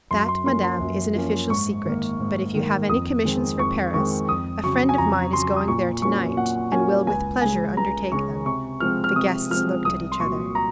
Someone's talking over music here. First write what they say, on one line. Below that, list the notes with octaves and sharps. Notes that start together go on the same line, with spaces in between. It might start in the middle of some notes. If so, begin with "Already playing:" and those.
"That, madame, is an official secret; but if you have any commissions for Paris, a friend of mine is going there to-night, and will with pleasure undertake them." The guests looked at each other.
F#2 C6
C6
F3 A#3 C#4 C6
C6
F#2
F3 A#3 C#4
G#2 C#6
D#3 A#3
G#2
D#3 A#3
F2 D#6
D#3 G#3 C4
F2 C#6
D#3 G#3 C4 C#6
F2 D#6
C#3 F#3 C#6
G#5
F2 A#5
C#3 F#3 C6
D#6
A#2 C#6
F#3 A#3 C#4 C#6
A#2 F#5
F#3 A#3 C#4 G#5
C#2 G#5
C#3 G#3 C#4 G#5
C#2 A#5
C#3 G#3 C#4 C#6
C3 C#6
F3 G#3 C4 F6
F6
C3 D#6
F3 G#3 C4 F6
C2 D#6
C6
A#2 F#3 C#6
A#5